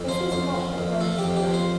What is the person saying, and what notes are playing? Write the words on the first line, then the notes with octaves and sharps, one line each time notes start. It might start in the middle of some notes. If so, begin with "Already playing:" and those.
This is not always true.
Already playing: F2
F3 C5
F2 C5
F3
F2
F3 A4
G4
F2
G4
F3
C5